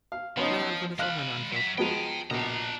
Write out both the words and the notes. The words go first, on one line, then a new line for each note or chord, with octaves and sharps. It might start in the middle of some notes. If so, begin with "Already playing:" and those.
Keine Antwort ist auch eine Antwort.
F5
F3 B3 C#4 D#4
G#3 F5 B5 F#6
F#3 E5
F3 G#3 B3 G5 A#5
A#1 B2 D4 A#5